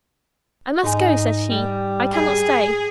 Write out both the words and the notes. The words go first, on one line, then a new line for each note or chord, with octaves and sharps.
'I must go,' said he, 'I cannot stay.
G#2 D#4 G#5
G3
G#4